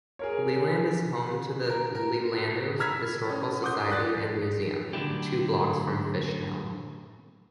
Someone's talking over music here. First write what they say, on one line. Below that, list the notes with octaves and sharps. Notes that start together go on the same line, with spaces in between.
Leland is home to the Leelanau Historical Society and Museum, two blocks from Fishtown.
G#4 A#4 C#5
A#4
A#4
A#5 B5 E6 F6 G#6 B6
C#4
F#5 C6 D6 D#6 G6
D5 D#6 F#6 A6
A2 D3 F#3 D4 E4 G4